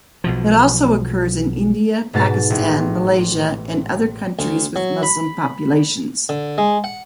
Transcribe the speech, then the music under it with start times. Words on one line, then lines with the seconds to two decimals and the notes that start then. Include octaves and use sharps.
It also occurs in India, Pakistan, Malaysia and other countries with Muslim populations.
0.24 B1 B2 F3
2.14 G#2 B2 A6
2.50 A1
4.39 D2
4.76 F#3
5.03 B5
6.29 D3
6.58 G#3
6.84 F#5